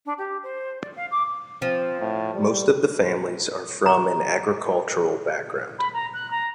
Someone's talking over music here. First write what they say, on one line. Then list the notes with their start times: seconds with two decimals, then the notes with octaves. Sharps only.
Most of the families are from an agricultural background.
0.06 D4
0.18 G4
0.43 C5
0.82 D5
0.96 F5
1.11 D6
1.62 F3 C4
2.01 A2
2.34 G3
3.86 A#5
5.78 B5
5.93 A#5
6.13 F#6
6.30 A#5